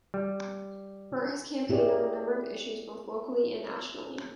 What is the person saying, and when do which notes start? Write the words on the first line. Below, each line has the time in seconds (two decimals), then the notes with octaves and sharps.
Burt has campaigned on a number of issues both locally and nationally.
0.14 G3
1.69 E4 G4 G#4 C#5 D5